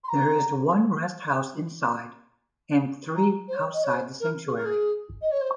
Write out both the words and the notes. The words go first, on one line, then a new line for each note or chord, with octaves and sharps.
There is one rest house inside, and three outside the sanctuary.
C6
A#5
A#5
C5
C#5
D#5
C#5
C5
A#4
G#4
A#4
G#4
D#5
C#5
C5